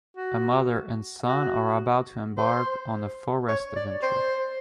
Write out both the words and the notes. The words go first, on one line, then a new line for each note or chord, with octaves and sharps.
A mother and son are about to embark on a forest adventure.
F#4
F#4
C5
C#5
D5
C5